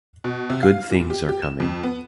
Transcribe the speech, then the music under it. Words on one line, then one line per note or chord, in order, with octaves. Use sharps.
Good things are coming.
B2
C3
F5
A#2
G4
G4
E7
F2
B3